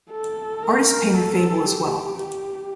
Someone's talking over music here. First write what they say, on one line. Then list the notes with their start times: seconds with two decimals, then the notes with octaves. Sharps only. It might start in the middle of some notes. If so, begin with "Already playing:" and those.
Artists paint in fable as well.
0.11 A4
0.63 A#4
1.14 A4
1.66 G4
2.18 G4